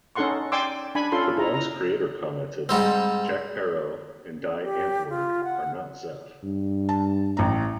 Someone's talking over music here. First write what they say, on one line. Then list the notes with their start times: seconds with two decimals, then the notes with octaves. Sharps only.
The blog's creator commented, Jack Parow and Die Antwoord are not zef.
0.15 C#4 D#4 A4 F#5 C6 C#6
0.52 D5 G5 G#5 C6 D6 E6
0.95 D4 G#5 B5
1.12 C#4 F4 A4 C6
1.37 E4 A#5
1.54 A#5
2.69 G#2 G3 C4
4.38 C#4
4.62 G4
5.09 F4
5.44 F#5
6.43 G2
6.89 A5
7.37 A1 A#5